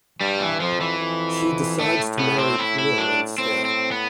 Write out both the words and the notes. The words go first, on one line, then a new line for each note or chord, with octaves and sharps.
She decides to marry Pwyll instead.
G2 G3
E3
F2 F3
E3
F2
A2 A3
B3
C4
A2 E4
E4
D4
A2 C4
C4
B3